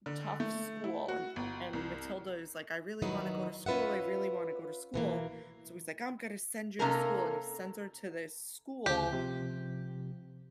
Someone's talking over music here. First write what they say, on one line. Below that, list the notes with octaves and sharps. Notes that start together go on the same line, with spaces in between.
tough school, and and Matilda is like, "I really wanna go to school, I really wanna go to school," so he's like, "I'm gonna send you to school," and he sends her to this school
D3
A3
E4
F#4
G1
C2
D#3 F#3 D#4 E4 B4
C#4 F4 B4 E5 F#5
B2 E3 A#3
C3 A#3 C#4 D#4 A4 A#4
D2 C#3 G4
C3 F3